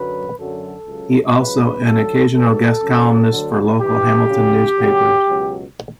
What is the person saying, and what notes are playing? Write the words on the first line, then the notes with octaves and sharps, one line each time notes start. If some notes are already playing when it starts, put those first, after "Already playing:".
He also an occasional guest columnist for local Hamilton newspapers.
Already playing: F#2 D3 F#3 B4
F#2 D3 F#3 A4
C#2 C#3 F#3
C#2 C#3 F#3 B4
F#2 D3 F#3 A4
C#2 B2 F#3 A4
F#2 C#3 F#3
D2 D3 F#3
G2 E3 G4
D2 C#3 F#3
F#2 C#3 F#3
C#2 B2 F#3